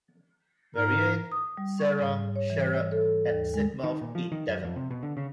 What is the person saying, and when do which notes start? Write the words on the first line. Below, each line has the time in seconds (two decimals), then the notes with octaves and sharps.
Marianne Sarah Sherard at Sidmouth in Devon.
0.76 G#2 A#4
1.32 D#6
1.57 G3
1.79 C#6
1.99 G#2
2.36 C#5
2.50 E3
2.73 C#5
2.92 A4
3.30 D#2
3.54 G#3
3.84 D#3
4.01 A#2
4.15 F3
4.32 D#3
4.48 F#2
4.65 F2
4.76 C3
4.91 B2
5.03 D3
5.17 C#3